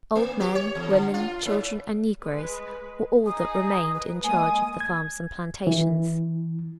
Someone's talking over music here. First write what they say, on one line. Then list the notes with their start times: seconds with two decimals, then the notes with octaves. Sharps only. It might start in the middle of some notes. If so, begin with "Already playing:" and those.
Old men, women, children and negroes were all that remained in charge of the farms and plantations.
0.15 A#3
0.40 G4
0.55 C#5
0.75 E2
0.90 D3
1.14 F4
1.45 G#2
2.23 G#3 B4
3.26 D#4 G#4 D#6
3.94 B4
4.24 G#3 A#3 G#5 D#6
4.80 G#6
5.67 E3